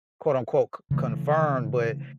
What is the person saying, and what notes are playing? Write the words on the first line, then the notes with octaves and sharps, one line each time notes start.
quote, unquote, "c confirmed," but
C#3 E3 A3